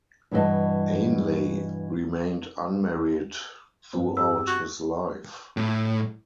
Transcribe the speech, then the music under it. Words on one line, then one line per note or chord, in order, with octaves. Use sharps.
Ainley remained unmarried throughout his life.
G2 B2 E3 G#4 D#5 A5
G2 B3 C4
G4 E6
F#4 F#6
A2